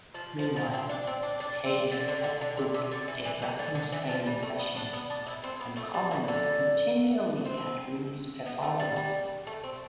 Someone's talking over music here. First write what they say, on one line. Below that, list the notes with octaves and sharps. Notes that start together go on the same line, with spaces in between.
Meanwhile, Hayes sets up a weapons training session, and comments continually at Reed's performance.
F3
F3
F3
C4
D4
C4
D4
D4
C4
D3
D3
D3
D3
C3
C3
D3
E3
E3
E3
D3
D3
E3
F3
G3
A3
B3
D4
B3
D4
E4
C4
B3
A3
G3
E3
D3
C4
B3
A3
G3
G3
A3
C4